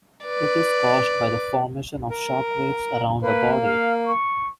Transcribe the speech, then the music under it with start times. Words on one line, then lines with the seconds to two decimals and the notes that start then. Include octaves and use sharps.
It is caused by the formation of shock waves around a body.
0.24 B4 D5
2.10 A#4
3.22 A#3 B4
3.63 F5
4.06 C#6